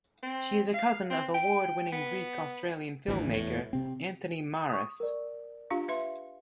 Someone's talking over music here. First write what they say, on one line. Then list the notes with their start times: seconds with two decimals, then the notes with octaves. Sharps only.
She is a cousin of award-winning Greek Australian filmmaker Anthony Maras.
0.23 C4
0.74 F5
1.10 C4
1.34 G5
1.92 B3
3.08 G#1 D2 E3
3.33 E2 A2
3.73 C3 C4
4.69 C#6 D#6
5.00 A#4 D5
5.70 D4 F4 G4 F5
5.88 B4 E5 C6